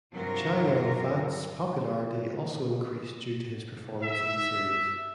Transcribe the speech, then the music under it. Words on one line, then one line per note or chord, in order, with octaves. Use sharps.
Chow Yun-fat's popularity also increased due to his performance in the series.
G2 C3 F#3 F4 A#4
E5